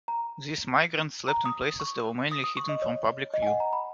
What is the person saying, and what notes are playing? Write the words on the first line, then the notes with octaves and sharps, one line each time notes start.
These migrants slept in places that were mainly hidden from public view.
A#5
A#5
D#6
C#6
D#6
D#6
C#6
D#5
C#5
D#5
G#5
F#5
A#5
B5